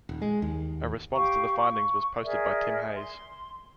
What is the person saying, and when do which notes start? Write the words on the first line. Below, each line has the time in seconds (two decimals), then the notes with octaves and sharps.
A response to the findings was posted by Tim Hayes.
0.09 D#1
0.22 G#3
0.42 D#2
1.14 G4 F5 C#6
1.58 C#6
2.23 G#4 A#4 D5 E5
2.96 C6